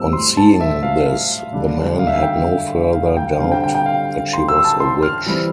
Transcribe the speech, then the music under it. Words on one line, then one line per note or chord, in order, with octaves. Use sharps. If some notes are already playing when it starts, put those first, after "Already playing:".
On seeing this the men had no further doubt that she was a witch.
Already playing: A2 G3 C4 E6
C6
A5
E5
F5
F5
D3 G3 D4
F5
E5
F5
G5
F5
G5
D3 G3 C4 F5
G5
G5
G5
F5
C6
E6
A5
C6
F6
E3 G3 C4 E4